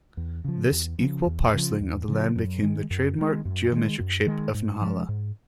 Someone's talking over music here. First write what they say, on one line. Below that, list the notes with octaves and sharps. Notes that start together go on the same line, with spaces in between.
This equal parceling of the land became the trademark geometric shape of Nahalal.
E2
C#3 F3
E2
C#3 F3
E2
C#3 F3
E2
C#3 F3
F#2
D#3 G#3
F#2
D#3 G#3
F#2
D#3 G#3
F#2
D#3 G#3
G#2
F3 G#3
G#2